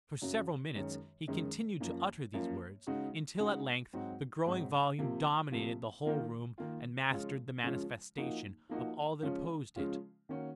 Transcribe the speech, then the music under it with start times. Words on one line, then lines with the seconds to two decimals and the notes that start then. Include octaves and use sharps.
For several minutes he continued to utter these words, until at length the growing volume dominated the whole room and mastered the manifestation of all that opposed it.
0.22 F#2 C#3 F#3
0.75 F#2 D#3 G#3 C#4
1.28 F#2 D#3 G#3 C#4
1.80 F#2 F3 A#3
2.34 F#2 F3 A#3
2.87 C#3 G#3 D#4 F#4
3.40 C#3 G#3 D#4 F#4
3.93 G#2 F#3 C4 D#4 F#4
4.45 G#2 F#3 C4 D#4 F#4
4.99 C3 F3 A#3
5.52 C3 F3 A#3
6.05 D#3 A#3 F4
6.58 D#3 A#3 F4
7.11 C#3 F3 G#3 C#4 F4
7.63 C#3 F3 G#3 C#4 F4
8.17 F3 A#3 D#4 F#4
8.69 F3 A#3 D#4 F#4
9.22 C#3 F3 G#3 C#4 F4
9.76 C#3 F3 G#3 C#4 F4
10.29 D#3 A#3 C#4 F#4